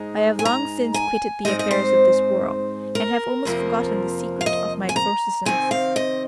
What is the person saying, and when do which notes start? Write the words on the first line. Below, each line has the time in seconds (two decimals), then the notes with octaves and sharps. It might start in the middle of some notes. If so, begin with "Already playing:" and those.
I have long since quitted the affairs of this world, and have almost forgotten the secret of my exorcisms.
Already playing: G#2 G#3 D#4
0.39 G#5
0.45 A#5
0.94 G#5
1.45 G#2 G#3 C4 D#4 D#5
1.59 D#5
1.71 C5
2.95 A#4
3.45 F2 C3 F3 A#3
4.41 F5
4.46 D#5
4.89 G#5
4.96 A#5
5.45 C3 D#3 C4 G#5
5.71 F5
5.96 D#5